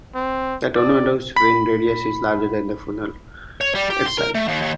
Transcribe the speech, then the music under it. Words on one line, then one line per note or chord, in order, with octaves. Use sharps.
The tornado's wind radius is larger than the funnel itself.
C4
D5
B5 B6
C#5
G3
G4
C6
A#4
A3
D#2
D#2